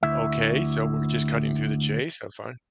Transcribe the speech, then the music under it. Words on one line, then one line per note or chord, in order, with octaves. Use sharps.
Okay. So we're just cutting through the chase. I'm fine."
D2 E4 E5